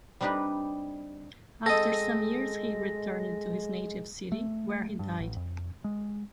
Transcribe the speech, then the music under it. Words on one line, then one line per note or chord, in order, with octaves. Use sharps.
After some years he returned to his native city, where he died.
G3 C4 D4 D#4 G4 B4
G#3 C4 A4 D#5 A#6
A3
G2
A1
F2
G#3